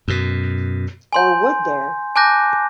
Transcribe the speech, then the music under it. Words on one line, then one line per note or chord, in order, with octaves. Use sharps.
Or would there?
F#2 B2
G#5 C6 G6
G#5 A5 D6 F#6 G6 A#6